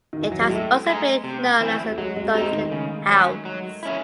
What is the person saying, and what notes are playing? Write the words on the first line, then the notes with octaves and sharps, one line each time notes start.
It has also been known as the Dugan House.
D#3
E3
F#3
G#3
A2 A3
G#3 D#4
C3
E3 C4 E4
A3
F#3 G#3
G#3
A3
G#3 C4 D#4
D#3
C#3
F#3 C#4
F#3
C#4 E4